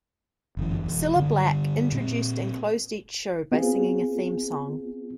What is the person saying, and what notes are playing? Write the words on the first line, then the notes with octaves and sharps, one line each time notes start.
Cilla Black introduced and closed each show by singing a theme song.
G1 F#2 E3
E1 A#1 E2
G2 D3
A#2 C4
B3 C4 F4 G#4